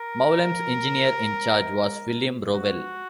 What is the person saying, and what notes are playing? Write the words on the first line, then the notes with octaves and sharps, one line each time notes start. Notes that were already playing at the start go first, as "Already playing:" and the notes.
Mowlems' engineer in charge was William Rowell.
Already playing: A#4
F#4